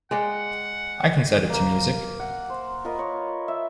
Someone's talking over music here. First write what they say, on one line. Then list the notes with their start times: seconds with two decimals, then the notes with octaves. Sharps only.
I can set it to music.
0.11 G#3 D5 F#5 G5
1.50 A#3 A#4
2.20 F#5
2.50 C5
2.84 F4 A#4 B4 D#5
2.99 C#5
3.48 E5